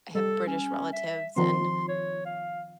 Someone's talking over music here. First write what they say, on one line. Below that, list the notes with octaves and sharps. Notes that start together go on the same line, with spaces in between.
I have British relatives, and
G3 A4
C#4
E5
D#3 F3 C4 C6
C#5
F5